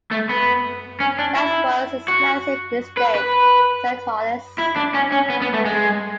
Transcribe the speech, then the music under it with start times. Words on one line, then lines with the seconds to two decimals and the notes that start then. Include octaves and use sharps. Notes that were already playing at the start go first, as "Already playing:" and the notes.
"That was a massive mistake," said Hollis.
0.12 A3
0.29 B3
1.00 C#4
1.19 D4
1.36 E4
2.08 F#4
2.97 B4
3.15 B4
4.58 E4
4.76 D4
4.94 C#4
5.12 C#4
5.30 B3
5.42 B3
5.54 A3
5.65 G#3